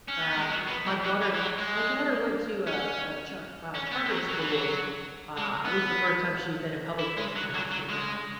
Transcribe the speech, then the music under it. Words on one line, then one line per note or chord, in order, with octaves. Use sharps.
Um, my daughter my daughter went to a a char uh, charter schools. Uh, this is the first time she had been in public school- she's in high school now.
C#4
B3
G#3
F#3
B3
G#3
F#3
E3
E3
F#3
G#3
C#4
C#4
B3
G#3
F#3
F#3
E3
F#3
G#3
B3
E4
G#3
F#3
F#3
F#3
G#3